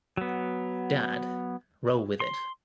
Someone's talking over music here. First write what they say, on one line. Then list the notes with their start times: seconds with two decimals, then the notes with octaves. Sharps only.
'Dad, roll with it.
0.17 F#3 B3
2.20 C6